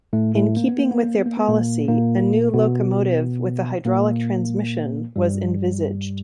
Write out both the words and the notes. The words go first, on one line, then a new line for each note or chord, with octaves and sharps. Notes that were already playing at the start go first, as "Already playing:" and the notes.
In keeping with their policy, a new locomotive with a hydraulic transmission was envisaged.
A2 A3
A2 A3
A#3
B3
A#3
B3
A#3
B3
A#3
B3
A#2 A#3
A#2 A#3
B2 B3
A#2 A#3
G2 G3